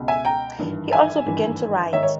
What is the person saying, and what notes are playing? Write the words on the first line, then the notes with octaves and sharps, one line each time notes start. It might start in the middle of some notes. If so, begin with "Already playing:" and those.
He also began to write.
Already playing: C#2 B2
E5 G#5
G5 A#5
G#1 G2 E3
E5 G#5
G#1 G2 E3
G#1 G#2 D#3 C#5 E5
C#5